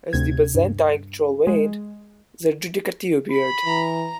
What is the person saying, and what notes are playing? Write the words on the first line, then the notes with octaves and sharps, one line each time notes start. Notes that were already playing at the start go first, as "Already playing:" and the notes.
As the Byzantine control waned, the Giudicati appeared.
D2 C3 G#6
G2
G#3
B5
E3 A#5